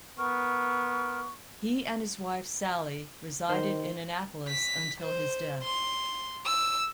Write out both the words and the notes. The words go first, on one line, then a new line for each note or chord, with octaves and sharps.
He and his wife, Sally, resided in Annapolis until his death.
B3 A#4 C#6
D#3 C5
B6
C5
C6
E6